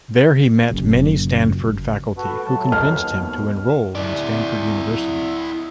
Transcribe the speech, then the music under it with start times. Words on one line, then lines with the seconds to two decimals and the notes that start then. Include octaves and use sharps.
There he met many Stanford faculty, who convinced him to enroll in Stanford University.
0.70 F#1 F#2 A#2
2.17 F#4 A4 B4
2.46 A2 F#3 A5
2.72 F6
2.95 D#2 B2
3.95 E4 D5